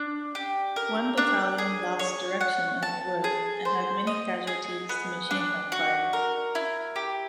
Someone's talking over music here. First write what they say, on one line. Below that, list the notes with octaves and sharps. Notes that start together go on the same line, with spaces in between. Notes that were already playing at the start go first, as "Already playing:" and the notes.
One battalion lost direction in the wood and had many casualties to machine-gun fire.
Already playing: D4
G4
A#4
D4
G#4
C#5
F#5
A5
G#4
C5
D#5
G#4
B3
D4
F#4
A#4
E4
G4